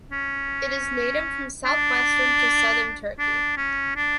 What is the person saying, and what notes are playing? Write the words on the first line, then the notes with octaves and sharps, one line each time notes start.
It is native from southwestern to southern Turkey.
C#4
D4
D4
C#4
D4